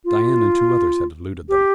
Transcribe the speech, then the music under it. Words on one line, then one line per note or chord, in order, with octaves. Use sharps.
Dian and two others had eluded them.
F4
G4